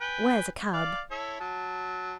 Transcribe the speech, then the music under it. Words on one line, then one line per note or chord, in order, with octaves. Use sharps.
Where's a cab?
B4 G5 G#5
D5 F5
E4 A4 C#5
F#3 A5